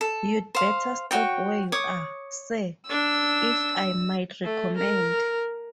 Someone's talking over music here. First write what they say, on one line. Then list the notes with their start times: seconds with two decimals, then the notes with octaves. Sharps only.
You’d better stop where you are, sir, if I might recommend.
0.01 A4
0.55 C5 F5
1.11 F#4 C#5 G5
1.72 C#5 D6 D#6
2.90 D4 E6
4.44 A3
4.77 A#4